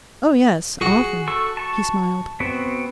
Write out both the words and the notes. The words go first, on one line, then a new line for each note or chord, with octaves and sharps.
'Oh yes, often.' He smiled.
F#4 G#4
A4 C#6 E6
A5 C#6
B3 C4 F#4